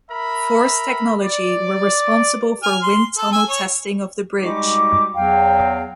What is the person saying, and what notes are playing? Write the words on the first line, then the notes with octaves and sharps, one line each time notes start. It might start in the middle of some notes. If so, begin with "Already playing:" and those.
Force Technology were responsible for wind tunnel testing of the bridge.
A#4 E5 B5
D5
G#5 F6
C6
A4
G#5 E6
C#5
G3 G#3 D#4 F#4 G4 D6
E2 F#3 F5 G5